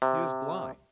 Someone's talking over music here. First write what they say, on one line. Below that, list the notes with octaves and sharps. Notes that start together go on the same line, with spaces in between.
"He is blind."
C3